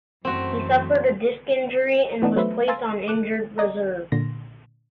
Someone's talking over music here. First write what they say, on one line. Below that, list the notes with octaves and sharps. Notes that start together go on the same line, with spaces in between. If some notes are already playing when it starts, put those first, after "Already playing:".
He suffered a disc injury and was placed on injured reserve.
F#2 E3 A3 C4 F#4
E3 B3 D4 D#4
F#3 A3 B4 C5 E5
F5 G#5 A#5 C6 E6 A6
D6 F#6
D5 D#5 A#5
A#2 D3 C6 A#6